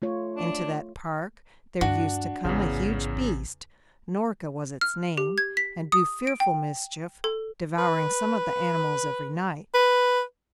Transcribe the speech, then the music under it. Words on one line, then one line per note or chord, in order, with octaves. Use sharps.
Into that park there used to come a huge beast--Norka was its name--and do fearful mischief, devouring some of the animals every night.
A3 F4 C#5
D4
D2 G2 D4 F#4
A1 E2 G#2 C#3
F6
G4
G#6
B6
D#6
D7
G5
A4
B4
B4